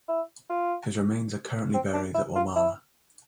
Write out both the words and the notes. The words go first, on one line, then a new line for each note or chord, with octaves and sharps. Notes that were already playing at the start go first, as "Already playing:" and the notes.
His remains are currently buried at Wamala.
E4
F4
C4
D4
E4
F4
E4